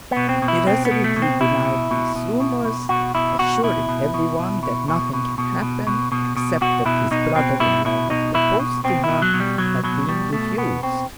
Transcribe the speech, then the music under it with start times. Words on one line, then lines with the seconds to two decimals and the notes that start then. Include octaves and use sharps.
He resolutely denied these rumors, assuring everyone that nothing had happened except that his brother-in- law had proposed to her and been refused.
0.11 B3
0.17 B2
0.29 C4
0.42 B2
0.48 E4
0.67 B2 C4
0.85 B3
0.91 B2
1.04 A3
1.16 B2
1.22 C4
1.41 B2 E4
1.65 B2
1.91 B2
2.16 B2
2.40 B2
2.65 B2
2.89 B2 F#4
3.15 B2 E4
3.39 B2 F#4
3.63 B2 E4
3.89 B2
4.14 B2
4.39 B2
4.63 B2
4.88 B2
5.13 B2
5.38 B2
5.62 B2
5.87 B2
6.12 B2
6.36 B2
6.61 B2 F#4
6.86 B2 E4
7.11 B2 D#4
7.35 B2 C4
7.60 B2 E4
7.85 B2 E4
8.10 B2 D#4
8.34 B2 E4
8.59 B2
8.84 B2 C4
9.04 B2 E4
9.22 F#3
9.34 B2
9.40 G3
9.58 B2 F#3
9.84 B2 F#3
10.08 B2 G3
10.33 B2 A3
10.58 B2 B3
10.83 B2 C4